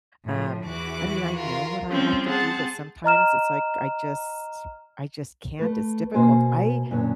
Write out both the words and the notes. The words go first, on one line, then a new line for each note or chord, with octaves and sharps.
Um, I mean, I know what I have to do, but sometimes it's, like, I just I just can't. It's difficult. I
A2 F3
E2 E3 F#4 D6 F#6
F4 A#4
F3 G3 C4 C#4
C4 G#4 F#5 A5
D#5 A#5 F6 E7
A3 B4
B2 A#3 F#4 C5 G#5
F#2 A#2 D3 B3 C#5